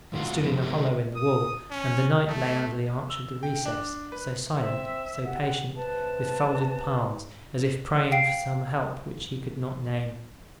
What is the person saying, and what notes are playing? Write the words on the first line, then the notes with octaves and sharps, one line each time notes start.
It stood in a hollow in the wall, and the knight lay under the arch of the recess, so silent, so patient, with folded palms, as if praying for some help which he could not name.
G#2 B2 F4 F#4
F2 B2
C3 D#3 G#3 G4
D#6
C#4
A3
E6
G5
D4
B4
C4 E5
G4 F#5
C3 B4 A5
F5 G5 C7 D7